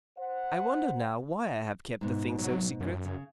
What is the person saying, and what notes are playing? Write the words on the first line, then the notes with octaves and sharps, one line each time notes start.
I wonder now why I have kept the thing so secret.
C5 F#5
G#2 B2
F#3
F#2
C#3